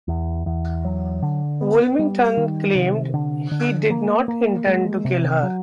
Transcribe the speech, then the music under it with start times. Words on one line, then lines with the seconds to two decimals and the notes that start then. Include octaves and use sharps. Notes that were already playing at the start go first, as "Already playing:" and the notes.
Woolmington claimed he did not intend to kill her.
0.08 E2
0.46 E2
0.85 F#3
1.22 D3
1.61 B3
1.99 G3
2.37 D#3
2.75 C3
3.14 D3
3.51 D3
3.90 A#3
4.28 A#3
4.67 G#3
5.05 C3
5.43 F#3